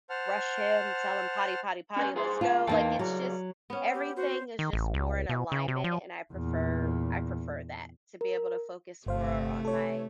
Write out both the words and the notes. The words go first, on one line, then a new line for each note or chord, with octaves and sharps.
rush him, tell him, "Potty, potty, potty, let's go." Like, it's just, everything is just more in alignment and I prefer I prefer that, to be able to focus more on my
C5 F#5 A5 F6
C#4 B4 G#5
G2 G#4 C5
C#2 F4 A5
E2 A#3 D#4 F5 G5 A5
C#3 F#3 G3
B3 C#4
G4
F#4 C5
D#3
A1
C#2
B2
C#3
C3
F3
E2 A#2
A#4
G1 C3 A3 C5 F5
A4 C#5